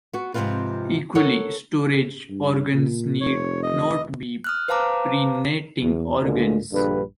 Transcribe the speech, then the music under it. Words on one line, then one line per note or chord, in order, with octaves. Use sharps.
Equally, storage organs need not be perennating organs.
B3 F#4
G#2 C3 F3 C4 F4 B4
A4 A#4 C#5 F#5
G2
A#2
F1 C#5
D#5
D#6 F6 F#6
B4 C5 F5 A5 A#5 D6
E2
D2 A#2 D3 G#3
A#1 G2 D3 B4